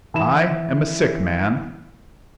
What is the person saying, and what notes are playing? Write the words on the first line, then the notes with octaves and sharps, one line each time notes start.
I am a sick man....
E3 E4 E7